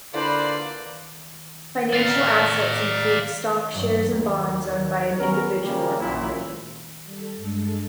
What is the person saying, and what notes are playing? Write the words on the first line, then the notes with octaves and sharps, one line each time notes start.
Financial assets include stock shares and bonds owned by an individual or company.
D3 A#3 E4 F4 B4 C5 D5 B5
D5 F5
G2 F#3
D#2
B3 C#4 A#4
C#3 G3 A#3
A#1 F#2 A#2 E4
G3 A4
G2 G#3 A4